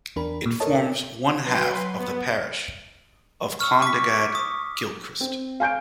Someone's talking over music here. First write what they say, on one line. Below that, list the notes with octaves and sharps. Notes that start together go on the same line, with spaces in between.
It forms one half of the parish of Clondegad-Kilchrist.
E2 D4 A#4 B5
A#2
A4 A#4 C#5 D#5 A5
F#3 B4 C6
B3
C#6 E6 F6
D6 B6
D#6
C4
F5 G#5 G6 D7